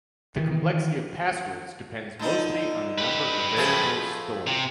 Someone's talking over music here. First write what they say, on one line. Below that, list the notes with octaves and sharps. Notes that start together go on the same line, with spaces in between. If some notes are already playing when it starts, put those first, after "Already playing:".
The complexity of passwords depends mostly on the number of variables stored.
D#3 E3
D3 D#4
G4 B4
F3 A3 G#4
C3